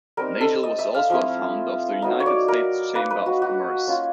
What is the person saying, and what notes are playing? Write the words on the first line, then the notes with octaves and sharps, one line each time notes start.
Nagel was also a founder of the United States Chamber of Commerce.
G3 C4 D#4 A#4
A4
D#5
E5
F5
F3 A3 C4 E4
F#3 B3 D#4
C#5
D5
A#4
A#3 D#4 B4
B4
F#4
F#4
A#3 C#4 F4